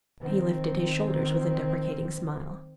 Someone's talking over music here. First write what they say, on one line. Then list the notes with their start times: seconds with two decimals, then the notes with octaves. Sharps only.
He lifted his shoulders with a deprecating smile.
0.20 D#3 C4